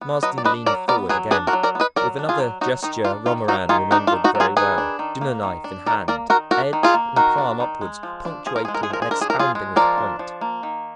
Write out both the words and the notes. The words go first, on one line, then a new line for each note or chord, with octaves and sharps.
Marsden leaned forward again, with another gesture Romarin remembered very well--dinner knife in hand, edge and palm upwards, punctuating and expounding with the point.
B3
F#3 B4 D#5
D5
D4 B4 D#5
F#3 A#4 D5
B3 A#4 D5
F#3 G#4 B4
D4 G#4 B4
F#4 A#4
F#3
A#4 D5
B3
B4 D#5
F#3 A#4 D5
D4
F4 G#4
F#3
F#3 D#4 F#4
D#3 D#4
D4 F4
D#3 F4
F#3 D#4 F#4
D#3 F4 G#4
D4 D#4 F#4
F4
D#3
D#4 F#4
F#3
F4 G#4
D#3 G#4 B4
D4
D#3
A#3
D#3
D4
D#3 A#4 D5
A#3 A#4 D5
D#3 F#4 A#4
D4 F#4 A#4
D#3
F4 G#4
A#3
D#3 F#4 A#4
D4
D#3
G#3
F3
D4
F3 G#4
A#4
G#3 G#4
A#4
G#4
F3 A#4
G#4
D4 A#4
G#4
F3 A#4
F4 G#4
G#3
F3 A#4 D5
D4
F3
A#3
D#3